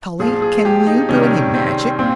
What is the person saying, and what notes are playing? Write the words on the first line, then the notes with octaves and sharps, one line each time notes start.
"Polly, can you do any magic?"
A#2 F3 G#4
G#4
G4
D#4
C3 D#3 G3 C#4
C4
A#2 C4